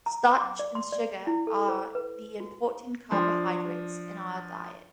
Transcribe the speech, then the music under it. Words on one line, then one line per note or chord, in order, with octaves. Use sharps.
Starch and sugar are the important carbohydrates in our diet.
A#5
D6
D5
C6
D5
E4
A4
C5
B4
F#4
F3 D4 C6